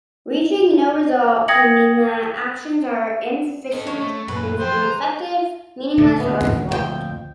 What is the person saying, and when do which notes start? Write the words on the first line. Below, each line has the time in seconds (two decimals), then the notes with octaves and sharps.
Reaching no result can mean that actions are inefficient, ineffective, meaningless or flawed.
1.48 G5 D#6 G#6 A#6 C#7 F#7
3.73 A4 D#5
3.87 C#5
4.00 A3
4.28 F#2 A#2 B4
4.60 F3 C5 G5
4.83 A#5
5.98 D2 A#2 D3 A3 A4
6.20 B3
6.69 F2 F#4 G5